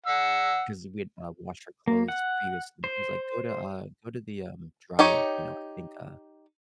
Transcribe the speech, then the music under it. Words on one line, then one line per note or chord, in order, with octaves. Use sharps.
'cause we had, uh, washed our clothes previously. She was like, "Go to, uh go to the, um, dryer," you know, "I think, uh,
F#5 E6
A#3
F#5
C5
D#4 G4 C#5